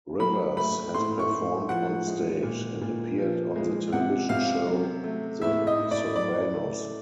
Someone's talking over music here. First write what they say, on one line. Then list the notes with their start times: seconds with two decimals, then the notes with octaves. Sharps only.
Rivers has performed onstage, and appeared on the television show "The Sopranos".
0.20 F#3 B5
0.57 A3 B5
0.94 A2 C6
1.19 C#6
1.31 A2
1.69 F3 F#5
2.07 G#3
2.43 A#2
2.81 A#2
3.18 F3
3.56 G#3
3.93 C3 F#5
4.29 C3 F5
4.67 F#3
5.04 A3
5.42 A2 E5
5.67 D#5
5.79 A2
5.91 D5
6.16 F#3 D5
6.54 A3